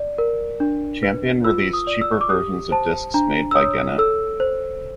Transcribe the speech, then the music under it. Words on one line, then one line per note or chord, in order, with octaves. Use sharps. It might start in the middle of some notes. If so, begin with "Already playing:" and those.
Champion released cheaper versions of discs made by Gennett.
Already playing: D5
A#4
D4
B4
F4 E6
D#6
D5
E6
C#6
D6
G4 D#6
C5 A5
D4 A#5
E6
C#5 D#6
A4 E6
C5